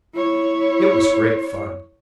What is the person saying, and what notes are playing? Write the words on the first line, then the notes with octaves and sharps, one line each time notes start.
It was great fun.
E4 C#5